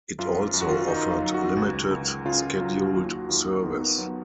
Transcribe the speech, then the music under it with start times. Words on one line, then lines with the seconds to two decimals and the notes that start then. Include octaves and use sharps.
It also offered limited scheduled service.
0.18 F#2 F4
0.54 F#2
0.61 F#4
0.69 F4
0.76 F#4
0.88 D#3 D#4
1.11 F4
1.22 F#3
1.34 F#4
1.57 C#2
1.91 C#2
2.25 C#3 F4
2.60 F#3 F4
2.77 F#4
2.94 D#2 F4
3.12 F#4
3.29 D#2 F4
3.63 D#3 B3
3.81 B3
3.98 F#3 B3